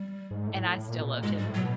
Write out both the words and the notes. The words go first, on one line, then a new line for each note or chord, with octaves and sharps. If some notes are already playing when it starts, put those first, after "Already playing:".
and I still loved him,
Already playing: G3
G#2
A2
A2
A2
A#2
B2
A#2
G#2 G#3
G#2 G3
A2
F#3
B2